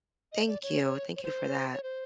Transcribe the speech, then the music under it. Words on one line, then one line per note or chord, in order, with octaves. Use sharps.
thank you, thank you for that,
D#5
D5
C#5
C#5
C5
C#5
C5